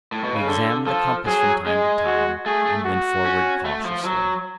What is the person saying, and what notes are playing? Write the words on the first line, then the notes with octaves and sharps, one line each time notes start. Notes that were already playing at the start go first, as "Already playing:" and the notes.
We examined the compass from time to time, and went forward cautiously.
A2
B2
C#3
D3 A4
F3 A4
F#3 G#4
G#3 G#4
F#4
A3 G#4
A3
F#4
C#4
A3
F3
F#3